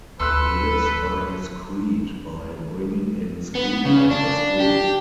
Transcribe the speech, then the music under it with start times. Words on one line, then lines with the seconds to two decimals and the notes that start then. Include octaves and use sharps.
He lives by his creed by bringing in scoop after scoop.
0.20 D2 A2 A4 B4 C6 E6 F#6
3.55 B3
3.85 C#3
4.11 D4
4.60 G4